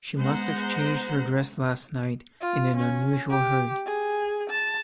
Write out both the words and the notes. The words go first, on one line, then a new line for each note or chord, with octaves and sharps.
She must have changed her dress last night in an unusual hurry.
G#3 B3 C5 F#5 A#5
F4
C#4
G4
G#4
A5